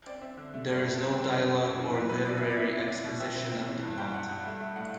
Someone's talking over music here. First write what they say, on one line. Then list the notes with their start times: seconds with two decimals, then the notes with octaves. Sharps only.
There is no dialogue or literary exposition of the plot.
0.06 C4 D5
0.21 C4 E5
0.37 D3
0.54 A3
0.69 G2 D5
0.85 G2
1.00 C4 C5
1.16 C4
1.31 F#2 D5
1.47 A3
1.62 F#2 E5
1.79 E3
1.94 F#3 D5
2.09 C3 B4
2.25 B3 D5
2.37 C3 E5
2.50 D5
2.57 E4
2.73 E4
2.88 E4
3.04 B2
3.20 C4 E5
3.35 C4
3.51 C4
3.67 E3
3.83 G2
3.97 G3 G5
4.14 G2 F#5
4.29 G2
4.45 A3
4.60 A3
4.76 A2 F#5